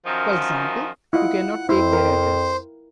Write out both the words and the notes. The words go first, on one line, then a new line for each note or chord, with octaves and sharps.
For example, you cannot take their address.
F#2 D#3 F3
E4 F4 D#5 F#5
F2 E4 C5
A#4 G5